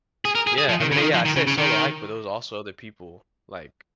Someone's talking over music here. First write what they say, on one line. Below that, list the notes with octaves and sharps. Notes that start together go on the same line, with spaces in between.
Yeah, I mean, yeah, I say a solo hike, but there was also other people, like,
G#4
A#4
G#4
G#4
F3
D#3
C#3
F3
D#3
F3
D#3
C#3
C#3
D#3